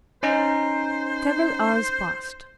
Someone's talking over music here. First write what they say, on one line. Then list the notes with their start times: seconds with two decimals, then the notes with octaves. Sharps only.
Several hours passed.
0.23 C#4 D#4 C5 A#5